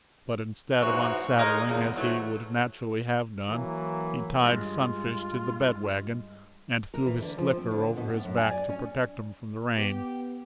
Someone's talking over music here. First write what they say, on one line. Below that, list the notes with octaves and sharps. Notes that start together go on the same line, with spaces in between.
But instead of unsaddling, as he would naturally have done, he tied Sunfish to the bed-wagon and threw his slicker over his back to protect him from the rain.
E2 G#2 E3 F3 F#4 C#5
G#3 D#4 A#4
E2 A#2 C#3
G#2 E3 F#3 A3
E3 F#3 A#3
G2 G#3 F4
A#4
E3
D3
F3
C4
D3
B2
A2
F#2
G#5
D5
C#4
B3 G4